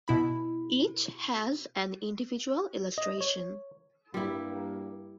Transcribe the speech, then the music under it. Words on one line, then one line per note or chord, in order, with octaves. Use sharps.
Each has an individual illustration.
B2 E4 B5
D#5
C#5
G2 G3 A#3 E4